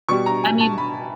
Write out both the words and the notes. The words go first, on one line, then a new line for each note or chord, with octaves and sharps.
I mean
B2 G3 C#6
A#5
G#5
A5
B5